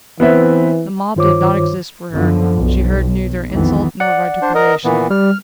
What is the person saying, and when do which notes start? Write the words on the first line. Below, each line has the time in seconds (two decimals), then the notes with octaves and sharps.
The mob did not exist for her; she heard neither insult nor vituperation.
0.20 E3 B3 C4 E5
1.16 G2 D#3 F4 C5 C#5 D6
2.13 F#2 D3 F3 B3
2.56 B1
3.49 B1 F2 D#3 E3 B3
4.00 D5 F#5
4.42 D4 C5
4.55 A#4 D#5
4.84 A#2 E3 B3
5.10 G3 F6